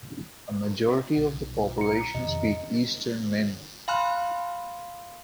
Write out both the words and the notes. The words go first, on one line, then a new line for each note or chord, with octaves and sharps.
A majority of the population speak Eastern Min.
B1
A#5 C#7
F2 C3 D#3 D#5
F5 G#5 B5 C6 F6 F#6